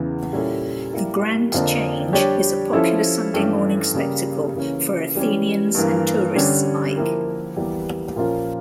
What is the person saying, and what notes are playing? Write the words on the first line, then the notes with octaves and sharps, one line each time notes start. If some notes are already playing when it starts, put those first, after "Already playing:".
The Grand Change is a popular Sunday morning spectacle for Athenians and tourists alike.
Already playing: E2 C#3 E3
A#2 G3 C#4 E4 A4
G3 A#3 E4 A#4
F2 D3 F3 A#3 D4
G3 D4 G4 C#5
F3 C#4 E4 A4
G2 E3 A3 C#4 G4
C#3 G3 A#3
C#3 E3 A#3 C#4
E3 G3 C#4
G2 E3 A#3
D3 G3 C#4
F3 A#3 E4 G4 A#4
E2 E3 G3 A#3
A#2 F3 A#3 C#4 F4